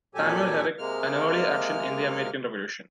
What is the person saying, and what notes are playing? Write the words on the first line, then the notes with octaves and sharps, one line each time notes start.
Samuel Herrick, an early action in the American Revolution.
F2 A#2 F#3 G4 A4 G#5
C3 G#3 A#3 F6